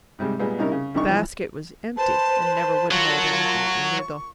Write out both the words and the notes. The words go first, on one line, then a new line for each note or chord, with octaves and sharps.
The basket was empty, and never would hold anything illegal.
G#2 C3 G3 G#3
A#2 G3 G#3 B3
C3 G3 C#4 D#4 E4 A#4
C#3
C2 E3 D4 D#4 C#6
G2 E3 F3
B4 C5 A5
F#3 F4 A#4 A5 C#6